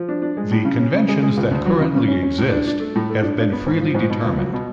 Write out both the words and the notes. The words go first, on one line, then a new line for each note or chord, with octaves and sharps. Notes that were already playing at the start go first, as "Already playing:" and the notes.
The conventions that currently exist have been freely determined.
Already playing: F3
D4
D4
G#3
A2
C#3
C#4
C#3
G#3
G#3
C#2
D2
F#3
C#3
C#3
C#4
C#4
A2
D4
D4
A3
A2
A3
D4
D4
B3
G#2
F3
G#2
B2
C#2
F#3
B2